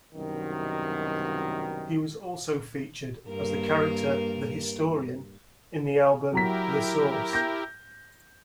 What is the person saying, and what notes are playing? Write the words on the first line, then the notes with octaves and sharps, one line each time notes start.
He was also featured as the character "The Historian" in the album "The Source".
C2 F#2 B2 D#3
G2 A#3 A#4
F#3 E4 G4 A#4 A#5 B6
G6 A#6